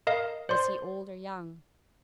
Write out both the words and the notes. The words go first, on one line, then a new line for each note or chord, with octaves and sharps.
Was he old or young?
A#4 D#5 F5
C5 D5 C6